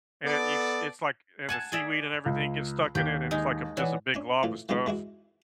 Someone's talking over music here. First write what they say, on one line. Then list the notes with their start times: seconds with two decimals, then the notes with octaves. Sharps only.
and it eves it's like and the seaweed and everything gets stuck in it, and it's like a just a big glob of stuff.
0.25 B3 A4 D5
1.49 F#5 G#5 A5 G#6
1.72 G#4 D5 E5
2.26 C#2
2.95 D#2 G4
3.31 G#3 D#4
3.77 E3 C#5 D5 F#5
4.14 C#4 D4 G#5
4.43 A2 E3 F4
4.69 D#3 F3 G#3 C4 F4
4.86 E3 G#3 E4 F#4